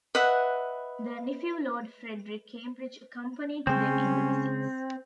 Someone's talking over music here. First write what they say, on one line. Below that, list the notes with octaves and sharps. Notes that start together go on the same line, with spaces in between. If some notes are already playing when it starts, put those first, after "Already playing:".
Their nephew Lord Frederick Cambridge accompanied them in the visits.
B4 D#5 E5 F#5
C#3 G#3 C4 C#4